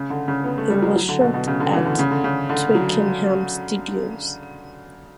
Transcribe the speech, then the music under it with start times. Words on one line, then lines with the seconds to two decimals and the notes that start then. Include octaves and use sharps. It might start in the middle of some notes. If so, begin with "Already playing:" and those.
It was shot at Twickenham Studios.
Already playing: C#3
0.10 D3
0.28 C#3
0.44 B3
0.58 A3
0.70 G3
0.82 F#3
0.96 F#3
1.09 D3
1.21 B2
1.34 B2
1.48 C#3
1.60 D3
1.73 E3
1.86 D3
1.99 C#3
2.11 D3
2.24 C#3
2.49 D3
2.75 F#3